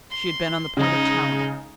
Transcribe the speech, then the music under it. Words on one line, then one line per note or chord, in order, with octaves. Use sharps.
She had been on the point of telling.
C6
C#3 G#3 D#4